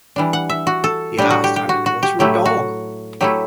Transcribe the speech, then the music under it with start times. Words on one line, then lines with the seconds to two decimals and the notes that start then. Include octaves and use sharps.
He asks Santa Claus for a dog.
0.16 E3 G3 D4
0.33 F#5
0.49 E5
0.67 F#4
0.84 A4
1.17 A2 G3 D4 G4
1.30 F#4
1.44 G4
1.56 G4
1.69 F#4
1.86 F#4
2.03 G4
2.19 A2 F#3 A3 E4 G4
2.45 F#4
3.21 F#3 A3 E4 G4